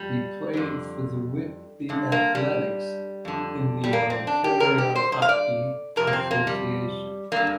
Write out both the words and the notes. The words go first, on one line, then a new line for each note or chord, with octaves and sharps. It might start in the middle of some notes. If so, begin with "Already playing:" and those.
He played for the Whitby Athletics in the Ontario Hockey Association.
Already playing: F2 G3
F2 D3
G2 D3
A#3
G3
F2 D3
G3
A#3
C4
D4
G4
G2 D3 A#4
G4
C5
C5
F5
D5
F2 C3 A#4
A#3
C4
A#3
G3
G2 D3 A#3